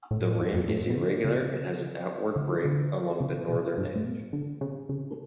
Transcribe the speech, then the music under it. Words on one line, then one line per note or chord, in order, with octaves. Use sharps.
The rim is irregular and has an outward break along the northern edge.
A2
E2
F#2
A2
B2
C#3
C#3
D3
E3
D3
C#3
B2
G2
A2
B2
D3
C#3
C#3